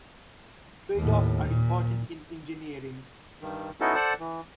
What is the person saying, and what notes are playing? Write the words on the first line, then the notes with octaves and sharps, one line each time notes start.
Tradeoffs are important in engineering.
D#2 A2
A#2
G2 D#3
B3 C#4 D#4 E4 F#4 A4
A4 C5 D5 F#5 A5
E3